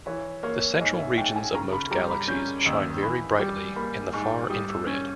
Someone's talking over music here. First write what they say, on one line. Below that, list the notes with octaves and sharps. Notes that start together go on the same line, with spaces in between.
The central regions of most galaxies shine very brightly in the far-infrared.
E3 C#5
A#3 C#5
G#2 D#5
E5
G#2 G5
G#5
C#3 A#5
B5
G3 A#5
B5
C#4 G6
D#2 E6
E3 B5
G3
A#3 B5
G#2 C#6
G3 D#6
E6
C#4 G#6